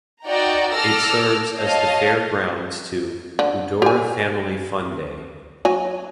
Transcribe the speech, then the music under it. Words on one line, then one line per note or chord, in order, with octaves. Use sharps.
It serves as the fair grounds to "Udora Family Fun Day".
D#4 F#4 D5 G5 A#5
A4 D6 E6 F6 A#6
C#5 D#5 F5 A5
D3
G4 G#5
F#3 G#5